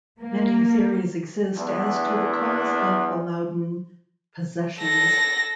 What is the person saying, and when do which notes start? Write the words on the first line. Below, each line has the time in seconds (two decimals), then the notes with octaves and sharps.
Many theories exist as to the cause of the Loudun "possessions".
0.21 A#3
1.57 E2 B3 D4 E4
4.79 A4 A#6